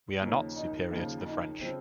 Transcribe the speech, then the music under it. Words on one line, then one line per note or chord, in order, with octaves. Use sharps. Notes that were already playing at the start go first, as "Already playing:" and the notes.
We are not superior to the French.
D#2 C#3 F3 C#4
D#4
D#2 C#3 F3 F4
D#4
C#3 F3 C4